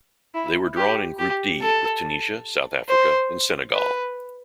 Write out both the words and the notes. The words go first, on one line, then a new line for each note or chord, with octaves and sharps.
They were drawn in Group D with Tunisia, South Africa and Senegal.
E4
G4
G4
A4
C5
B4